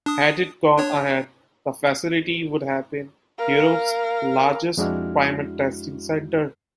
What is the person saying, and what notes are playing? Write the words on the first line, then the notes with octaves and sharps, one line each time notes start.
Had it gone ahead, the facility would have been Europe's largest primate testing centre.
D4 D#6
D4 C#5
A#4 F5
F2 G#3 D4 E4 F#4 F6